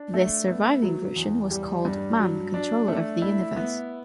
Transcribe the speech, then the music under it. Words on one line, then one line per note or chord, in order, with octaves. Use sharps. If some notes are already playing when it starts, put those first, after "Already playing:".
This surviving version was called "Man, Controller of the Universe".
Already playing: D4
A3
B3
F#3
E2
G3
G2
F#3
D4
A3
E4
B3